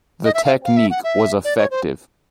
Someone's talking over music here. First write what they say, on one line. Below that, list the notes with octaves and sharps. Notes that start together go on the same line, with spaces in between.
The technique was effective.
D#5
E5
F5
F5
E5
F#5
E5
D5
C#5
C5